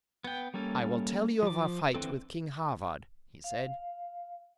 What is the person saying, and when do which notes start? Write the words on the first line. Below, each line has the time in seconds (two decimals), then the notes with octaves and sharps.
"I will tell you of our fight with King Havard," he said.
0.24 B3 G5
0.54 G3 A#3 C#4 A4
1.43 F3 D6
1.94 D3 E3 C4 A4
3.44 F5